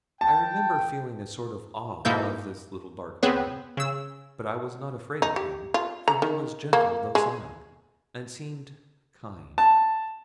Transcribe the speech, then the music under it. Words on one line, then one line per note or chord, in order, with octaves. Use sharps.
I remember feeling a sort of awe of this little dark man; but I was not afraid of him, for he was gentle, though sad--and seemed kind.
G5 A5
G#2 B2 A#3 E4 A4 G6
B3 C4 G#4 B4 C#5
C#3 E6
D#4
G4
F4
A#5
D#3
A#3
G#3
A5